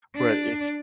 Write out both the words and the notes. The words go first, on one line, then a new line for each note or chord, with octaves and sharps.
but y
D4